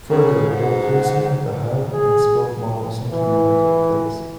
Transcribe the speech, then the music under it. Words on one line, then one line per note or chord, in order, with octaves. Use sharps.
Further, the replacement of the hub-and-spoke model simply never took place.
C#3 C#4
G#2 F#5
G#4
E3